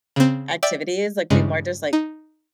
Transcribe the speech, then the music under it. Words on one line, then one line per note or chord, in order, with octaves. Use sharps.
activities, like, we more just, like,
C#3 C4
D5 E5 G5 E6
G2 C#3 G#3
D#4